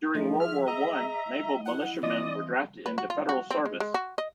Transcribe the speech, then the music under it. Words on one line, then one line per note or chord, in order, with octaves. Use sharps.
During World War One, naval militiamen were drafted into federal service.
F3 A3 D#4 G#4
E5 F6
D#5 A#5
E4 F#5
E3 C4 D5 D#5 D#6
B4
F#4
F4
F#4
C4
G#3
G#3
F#4
D#5